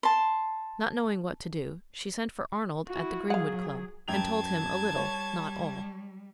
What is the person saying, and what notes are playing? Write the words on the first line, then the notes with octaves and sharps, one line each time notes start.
Not knowing what to do, she sent for Arnold at the Greenwood Club, and told him a little, not all.
A5 C6
E4 F#4
F#3 G#4 F5 F#5
F#2 G5 A5 G#6 F7
G3 C#5